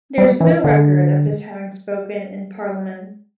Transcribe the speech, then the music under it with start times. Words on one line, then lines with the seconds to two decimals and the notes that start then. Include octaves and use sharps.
There is no record of his having spoken in Parliament.
0.18 G3
0.41 E3
0.64 D3